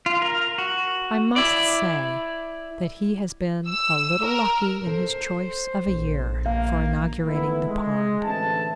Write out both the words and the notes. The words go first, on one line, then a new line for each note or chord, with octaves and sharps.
I must say that he has been a little lucky in his choice of a year for inaugurating the pond.
F4
A#4
F#4
E4 D5
E6
A#4
A4 C5
A#1
A#3 F5
D#3 E3 A3 B3 E4
G#3
A1 D3 C4 E4 A4 A5